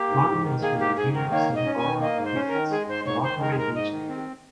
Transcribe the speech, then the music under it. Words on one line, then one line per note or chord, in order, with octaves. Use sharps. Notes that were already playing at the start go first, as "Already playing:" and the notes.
Martin was from the New York City borough of Queens, a Rockaway Beach native.
Already playing: A#3 G4
G#2
G#2
D#3
A#3 G#4
G#2 G4
G#2 G#4
D#3 A#4
A#3 C#5
G#2
D#5
C#4
G#5
D#3
A#3 D#5
G#2
C5
C#4
A#4
D#3
G#3 G#4
G#2 C5
G#2 C#5
D#3 C5
G#3 A#4
G#4
G#2 A#4
G#2 D#5
D#3
C4